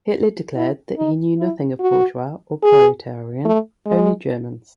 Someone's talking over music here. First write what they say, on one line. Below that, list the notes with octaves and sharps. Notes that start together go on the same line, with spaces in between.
Hitler declared that he knew nothing of bourgeois or proletarian, only Germans.
E4
D#4
E4
F#4
G#4
A3
G#3